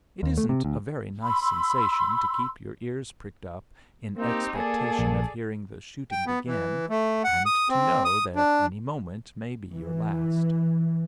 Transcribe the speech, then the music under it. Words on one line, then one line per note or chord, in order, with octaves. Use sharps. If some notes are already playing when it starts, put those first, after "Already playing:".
It isn't a very nice sensation to keep your ears pricked up in expectation of hearing the shooting begin, and to know that any moment may be your last.
D#2
A3
C3
D2
B5 C6 E6
A#3 C4 D#4 G4
A#3 G#4 A4 D5
A#1
G5
B3
E3
A3
F#5
D#6
C4
D#6
D4
E3